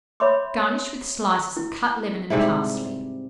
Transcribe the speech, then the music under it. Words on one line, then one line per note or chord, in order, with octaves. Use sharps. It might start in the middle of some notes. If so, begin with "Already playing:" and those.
Garnish with slices of cut lemon and parsley.
C#5 E5 B5 C6 D6
E4
G#2 C3 G3 E4